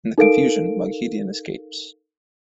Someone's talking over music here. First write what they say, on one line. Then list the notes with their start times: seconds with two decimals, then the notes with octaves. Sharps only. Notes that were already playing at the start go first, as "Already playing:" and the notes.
In the confusion, Moghedien escapes.
0.18 D#4 A4 A#4 F5 D7